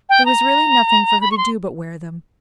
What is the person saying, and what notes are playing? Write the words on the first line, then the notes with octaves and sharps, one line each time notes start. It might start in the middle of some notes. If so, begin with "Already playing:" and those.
There was really nothing for her to do but wear them.
G5
A#5
B5
C#6
C6